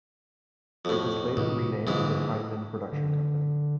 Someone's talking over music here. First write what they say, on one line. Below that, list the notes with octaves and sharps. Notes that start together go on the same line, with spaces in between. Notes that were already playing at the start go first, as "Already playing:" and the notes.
It was later renamed the Hinman Production Company.
F2 A2
C#2 A2 C3
A#1 G#2 D3 E3 G3
D3